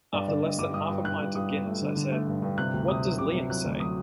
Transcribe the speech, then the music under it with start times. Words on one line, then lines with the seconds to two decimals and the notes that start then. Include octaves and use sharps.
After less than half a pint of Guinness I said, 'What does Liam say?
0.13 G2 D5
0.28 D3 D5
0.43 G2 D#5
0.59 G2 D6
0.74 G2 D#6
0.89 G2
1.05 G2 F#6
1.20 G2
1.35 G2 D#6
1.51 G2
1.66 A3
1.82 D3
1.96 D3
2.12 A3
2.27 G2
2.42 G2
2.58 C3 F#6
2.73 D2
2.88 C3 D#6
3.04 F#3
3.18 C3 D6
3.34 C3
3.50 F#3 F#6
3.65 D2
3.80 F#3 D#6